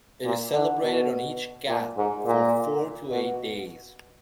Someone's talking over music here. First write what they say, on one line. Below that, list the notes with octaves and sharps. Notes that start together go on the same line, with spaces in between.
It is celebrated on each ghat for four to eight days.
A#2
D3
B2
A#2
G#2
A#2
B2